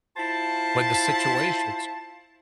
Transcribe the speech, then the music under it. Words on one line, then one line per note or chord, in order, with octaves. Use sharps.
when the situation's
E4 F4 C5 A5